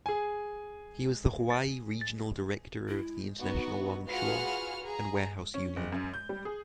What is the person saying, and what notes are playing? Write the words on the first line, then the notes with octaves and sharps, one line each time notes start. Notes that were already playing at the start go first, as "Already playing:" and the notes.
He was the Hawaii Regional Director of the International Longshore and Warehouse Union.
G#4 G#5
E4
B3 D#4 F#4
F4 F#4 G#4 B4 F#5 F6
G#4 A#5
C#4
F#1
F#2
G6
G3
G#4